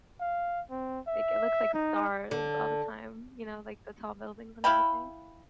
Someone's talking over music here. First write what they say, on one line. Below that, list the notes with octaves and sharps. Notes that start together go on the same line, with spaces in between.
like, it looks like stars all the time, you know, like the tall buildings and everything,
F5
C4
E5
D#4
D3
E4 F5 G5 B5